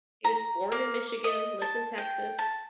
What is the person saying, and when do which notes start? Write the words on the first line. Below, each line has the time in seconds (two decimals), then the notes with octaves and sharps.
He was born in Michigan, lives in Texas
0.25 A#5
0.72 A#3
1.24 D#5
1.62 A5
1.98 G5
2.39 A5